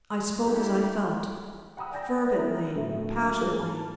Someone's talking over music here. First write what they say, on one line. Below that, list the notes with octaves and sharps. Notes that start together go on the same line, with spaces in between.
I spoke as I felt--fervently, passionately.
G3 A3 D4 E4 G4 A4
F#5 G5 A#5 B5 D#6 E6
D5 G5 G#5 G6 A#6
E4 A#4
A2 D3 F#3 A3
G#2 F3 A#3 G#4 F6
A5